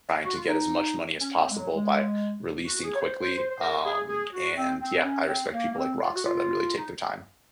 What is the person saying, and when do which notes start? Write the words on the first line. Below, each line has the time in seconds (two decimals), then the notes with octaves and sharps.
trying to get as much money as possible by releasing quickly. Um, and, yeah, I respect people like Rockstar that really take their time.
0.25 F#4
0.36 F4
0.48 D#4
1.21 C#4
1.38 C4
1.50 G#3
1.56 F#3
1.74 G#3
2.65 F#4
2.83 G#4
2.95 C#5
3.00 C5
3.19 C5
3.37 C5
3.49 C5
3.61 A#4
3.85 G#4
4.09 G#4
4.32 F#4
4.57 C4
4.81 C4
4.97 C4
5.04 C#4
5.28 C4
5.53 A#3
5.72 A#3
5.77 C4
6.01 F4
6.15 F#4
6.25 F4
6.77 D#4